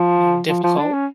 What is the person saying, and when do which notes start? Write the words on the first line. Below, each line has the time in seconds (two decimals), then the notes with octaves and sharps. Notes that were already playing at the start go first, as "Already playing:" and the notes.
you know, difficult.
Already playing: F3
0.49 F3
0.63 F3
0.78 D4
0.93 C#4